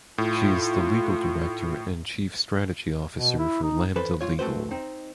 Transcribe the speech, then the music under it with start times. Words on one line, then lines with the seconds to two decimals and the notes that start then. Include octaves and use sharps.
She is the legal director and chief strategy officer for Lambda Legal.
0.18 A2 F4
3.16 B2
3.39 E4
3.63 D#4
3.96 E3 A4 B4 C5
4.21 G2 F4 C#5
4.39 A3 C4 F#4 B4 C5
4.71 C4 D#4